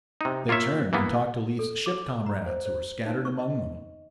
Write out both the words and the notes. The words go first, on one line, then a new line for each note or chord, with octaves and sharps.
They turned and talked to Leif's ship-comrades who were scattered among them.
C3 D#4
A#3 F4 C#5 E5
E3 A#3 B3
A4
D6
A#5
C5
C5
D#4
C#6
D#5